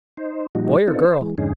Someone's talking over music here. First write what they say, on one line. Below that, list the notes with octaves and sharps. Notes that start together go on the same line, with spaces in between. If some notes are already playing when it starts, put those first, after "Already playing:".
"Boy or girl?"
D#4 C5
A#2 F3 G3 D#4 F#4
B3 C4 D4 D#4 F4 A4
C5
E3 G#3
F2 G#2 D3 C#4 D#4 G#4